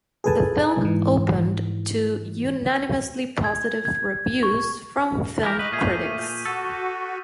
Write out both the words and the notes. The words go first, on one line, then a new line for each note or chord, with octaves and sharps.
The film opened to unanimously positive reviews from film critics.
G#4 A4 B4 G#5 A5
G#2 E3
G#6
G#6
C#6
E3 A#3 A#4 D6 G6 B6
B4 D#5 C#6 D#6
A#2 A3 G#4 F6 D#7
F#4 A4